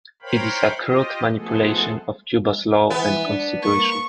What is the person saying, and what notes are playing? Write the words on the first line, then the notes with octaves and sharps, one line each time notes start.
It is a crude manipulation of Cuba's laws and Constitution.
A#4 C5 C#5 F5 G5 B5
F4 G4 D#5
F3 G#3 A3 B3 G#4 A4
E3 B3
D4
A#3 C#6